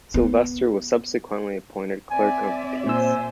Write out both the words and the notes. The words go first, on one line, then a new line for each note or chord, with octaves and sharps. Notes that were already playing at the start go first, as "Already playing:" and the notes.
Silvester was subsequently appointed clerk of the peace.
B3
C4 D5 E5 G#5
A#2 C5 G#5 E6